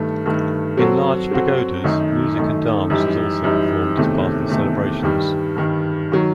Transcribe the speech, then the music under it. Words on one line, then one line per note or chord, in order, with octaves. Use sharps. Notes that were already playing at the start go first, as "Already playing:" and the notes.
In large pagodas music and dance is also performed as part of the celebrations.
Already playing: G2 D#3 A3
G2 D#3 A3
F#3 C4 F#4 A4
F#3 C4 F#4 A4
F#2 D#3 A3 D#4
F#2 D#3 A3 D#4
F#2 E3 G3 D#4 G4
F#2 E3 G3 D#4 G4
E2 C3 D#3 A3
E2 C3 D#3 A3
G2 D#3 G3
G2 D#3 G3
D#3 F#3